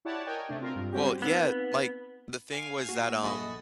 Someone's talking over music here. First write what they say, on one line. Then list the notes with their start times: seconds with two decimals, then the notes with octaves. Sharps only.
Well, yeah, like, the thing was that, um
0.05 E4 G4 C#5 D5 F#5 A5
0.26 A#4 C#5 D#5 G5 G#5
0.49 C3 A3 D4
0.61 C4 F4 A#4
0.75 G2
0.92 G3 C4 C#4 F#4 G4
1.22 B3 C4 D#4 B4
2.50 F5 G#5
2.89 A#3 F#4
3.23 A#1 E4 F#4 G#4 A4 D#5